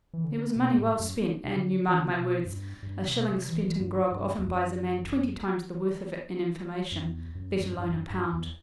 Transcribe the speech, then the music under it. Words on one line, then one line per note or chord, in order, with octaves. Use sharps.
It was money well spent, and, you mark my words, a shilling spent in grog often buys a man twenty times the worth of it in information, let alone a pound.
E3
D3
B2
A2
F#2
C3
D3
E3
D3
C3
B2
F#2
G2
G2
C3
B2
C3
E3
E3
G2
G2
E2
F#2
F#2
E2
F#2
F#2
G2
G2
F#2
G2
E2